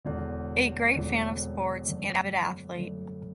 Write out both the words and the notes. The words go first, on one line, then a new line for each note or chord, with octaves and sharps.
A great fan of sports, and an avid athlete.
E1 E2 D3
E1 E2 D3
F#2 D3 A3
F#2 D3 A3